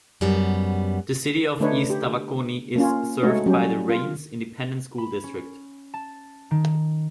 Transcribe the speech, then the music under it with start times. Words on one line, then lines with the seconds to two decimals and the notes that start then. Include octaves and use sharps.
The City of East Tawakoni is served by the Rains Independent School District.
0.21 F#2 G3 B3
1.60 D3 A3 D4 D#4 B4 C#5
1.90 G4
2.76 A#3 C#4 F4
3.23 G#3 A3 D#4 F#4 C#5
3.46 F#3 G3 C#4 G4
3.89 F4
4.98 B5
5.24 C#4
5.94 A5
6.51 D#3